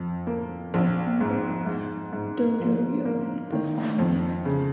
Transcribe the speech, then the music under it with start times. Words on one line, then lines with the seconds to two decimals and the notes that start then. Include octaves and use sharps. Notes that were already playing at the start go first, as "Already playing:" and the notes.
The Hombu dojo re-opened the following year.
Already playing: F2
0.27 A#3
0.74 A#1
1.21 G#2
1.66 G#2
2.13 G#2
2.60 F3
3.05 A#3
3.52 D#3
3.98 F2
4.45 C#3